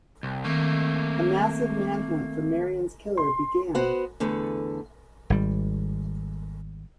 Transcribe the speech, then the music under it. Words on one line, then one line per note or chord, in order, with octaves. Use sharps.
A massive manhunt for Marion's killer began.
C2
D#3 A3 A#3 C4
C6
B3 F#4 C5
E2 D3 A3 B4
G#1 G3